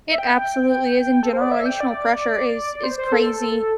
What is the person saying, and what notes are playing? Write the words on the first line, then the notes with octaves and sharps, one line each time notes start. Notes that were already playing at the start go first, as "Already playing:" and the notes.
It absolutely is, and generational pressure is is crazy.
E5
G5
A4
C5
D5
E5
G5
D5
C5
C5
A4